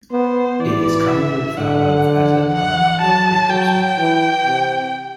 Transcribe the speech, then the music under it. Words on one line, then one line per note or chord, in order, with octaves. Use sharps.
It is commonly thought of as a melanoma precursor.
B3 C5
E3 D5
E5
D3 F#5
F#5
F#3 A5
F#3 G5
E3
C3